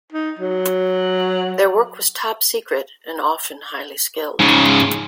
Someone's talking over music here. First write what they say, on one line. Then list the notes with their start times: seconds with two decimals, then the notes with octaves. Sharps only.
Their work was top secret and often highly skilled.
0.13 D#4
0.39 F#3
4.40 G#2 C#3